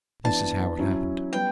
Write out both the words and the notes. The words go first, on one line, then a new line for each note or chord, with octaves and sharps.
This is how it happened.
E3 B3 D4 A5
F#3 C#4 E4
G3 B3 G5